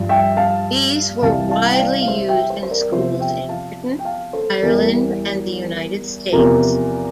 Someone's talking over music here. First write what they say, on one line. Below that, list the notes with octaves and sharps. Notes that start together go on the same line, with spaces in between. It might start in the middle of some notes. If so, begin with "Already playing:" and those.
These were widely used in schools in Britain, Ireland and the United States.
Already playing: G2 F3
E5 G5
F5 A5
C2 C3 E3 G3 F5 A5
F5 A5
G5
D5 F5
F5
C5 E5
E5 G5
C5 E5
C5
A#4 D5
E2 C3 F3 C5 E5
E5 G5
F5 A5
G5
F5 A5
A4 C5
E2 E3 G3 A#4
E2 C3 F3 A#4